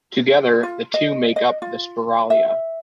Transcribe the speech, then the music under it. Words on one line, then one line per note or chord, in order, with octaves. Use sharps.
Together the two make up the Spiralia.
F4
D#5
D#5
F4
E5